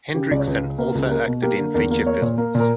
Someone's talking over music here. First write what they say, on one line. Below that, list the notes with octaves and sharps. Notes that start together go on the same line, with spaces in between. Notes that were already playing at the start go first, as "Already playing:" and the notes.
Hendrickson also acted in feature films.
C#3 G4
C#2 D5
C#5
C#2 B4
C#3
A#3 B4
C#2
G4
A#3 A#4
B2
A#3 G4
D3
E2 A#4
A#3
A#3 C#5
A#2
A#3
A#2
A#4